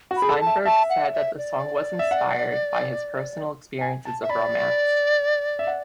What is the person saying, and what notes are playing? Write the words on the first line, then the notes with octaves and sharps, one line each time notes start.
Steinberg said that the song was inspired by his personal experiences of romance.
F#4
B5
G#4
A4
A5
E5
E5 A5
F#5
E5
D5
E5
F#5
G#5
A5
E5
D5 B5
E5
F#5